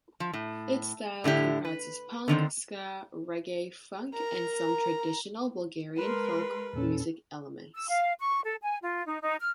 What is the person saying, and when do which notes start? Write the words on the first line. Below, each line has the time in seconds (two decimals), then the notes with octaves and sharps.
Its style comprises punk, ska, reggae, funk and some traditional Bulgarian folk music elements.
0.20 F3
0.33 A2
1.24 A2 D3 E4 G4
1.65 B4
2.28 D3 D#3 A#3 C4
4.15 A#4 A#5
5.97 G#3 A#4 B4 C6
6.73 E2 A#2 C#4 A4
7.74 E6
7.88 F5
8.19 C#6
8.44 A4
8.62 G#5
8.81 F4
9.07 D#4
9.22 D#4
9.40 F6